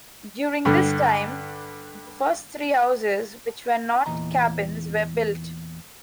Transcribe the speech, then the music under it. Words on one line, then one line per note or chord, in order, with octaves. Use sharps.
During this time, the first three houses which were not cabins were built.
G2 D3
E2 A#2 E3 D#5 A#5